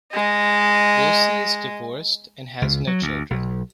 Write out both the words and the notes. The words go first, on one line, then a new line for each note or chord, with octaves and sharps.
Woolsey is divorced and has no children.
G#3 D#5
C#2
F#3
D2
B1